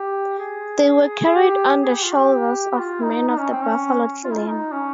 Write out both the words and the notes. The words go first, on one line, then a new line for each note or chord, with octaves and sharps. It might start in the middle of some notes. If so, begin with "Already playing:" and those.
They were carried on the shoulders of men of the Buffalo clan.
Already playing: G4
G#4
G#4
G4
G#4
G4
F4
G4
G4
F4
D#4
D#4
C#4
C4
C#4
F4
D#4
F4
D#4
C#4